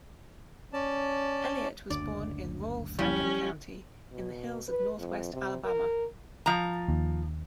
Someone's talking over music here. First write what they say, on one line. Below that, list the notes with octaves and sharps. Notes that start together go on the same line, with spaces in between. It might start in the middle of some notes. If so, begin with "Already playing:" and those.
Elliott was born in rural Franklin County in the hills of northwest Alabama.
C#4 D5 A5
F#1 D2 D4 D5
F3 G3 C#4 E4
B2
B4
F2
C3
A#4
F3 A#5
D#2